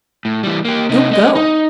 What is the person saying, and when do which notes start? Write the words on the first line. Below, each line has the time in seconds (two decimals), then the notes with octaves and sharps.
Don't go.
0.25 A2
0.43 E3 G3
0.65 A#3 G4
0.89 C3 D#4
1.11 A3 D#5
1.35 D#4